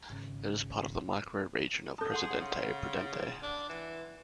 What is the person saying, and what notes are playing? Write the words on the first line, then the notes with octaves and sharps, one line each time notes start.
It is part of the microregion of Presidente Prudente.
G#1 C#3
A4 A5 D#6 G6
G#4 F#5 C6
C#3
D4
E3